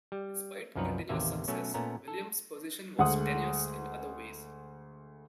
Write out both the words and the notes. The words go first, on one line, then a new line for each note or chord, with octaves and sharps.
Despite continuous success, Williams' position was tenuous in other ways.
G3
C2 F#2 F3 D#4 B4 C#5
A1 D#2 C3 A#3 E5
B2 F#3 A3 C#4
A#2 A3 B3 C#4 A#5
A4
D2 G#3 F#5 D#6